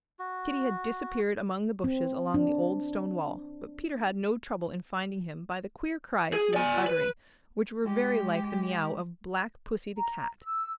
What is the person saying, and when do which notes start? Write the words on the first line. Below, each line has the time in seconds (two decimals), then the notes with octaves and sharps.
Kitty had disappeared among the bushes along the old stone wall, but Peter had no trouble in finding him by the queer cries he was uttering, which were very like the meow of Black Pussy the Cat.
0.19 F#4
1.84 C4
2.34 D4
6.33 G#4
6.54 D5 G#5
6.87 B4
7.83 G#3 G4
9.97 A#5
10.44 E6